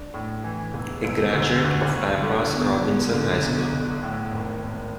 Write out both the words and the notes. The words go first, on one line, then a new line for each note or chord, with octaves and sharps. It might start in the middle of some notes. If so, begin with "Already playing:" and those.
A graduate of Tampa's Robinson High School.
Already playing: D4
A2
E3
E1
E1
D2
D2
D2
D3
E2
E2
D3
B1
B1
A2
G#1
G#1